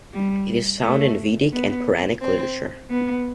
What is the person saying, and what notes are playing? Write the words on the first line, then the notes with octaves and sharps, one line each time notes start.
It is found in Vedic and Puranic literature.
G3
A3
B3
C4
B3